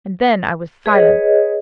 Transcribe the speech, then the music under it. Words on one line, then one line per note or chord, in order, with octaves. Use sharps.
And then I was silent.
G#4 B4 C#5 D#5